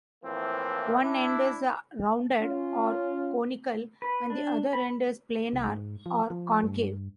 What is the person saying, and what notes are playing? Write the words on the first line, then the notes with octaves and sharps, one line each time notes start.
One end is rounded or conical and the other end is planar or concave.
A2 E3 F3 A#3 C4
D4 E4
C#4 F4
B4
D4
B5
C2
G#2
F3
F3
G2